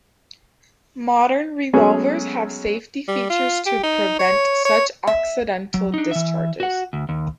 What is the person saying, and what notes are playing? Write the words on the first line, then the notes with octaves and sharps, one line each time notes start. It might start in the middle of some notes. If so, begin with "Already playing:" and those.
Modern revolvers have safety features to prevent such accidental discharges.
F#3 G#3 A3 B3 C#4 G#4
G3
F4
G4
D#4
C#5
C#5
E5
F#3
D4 D#4
E3 E5
F#4 F#5
D2
D#2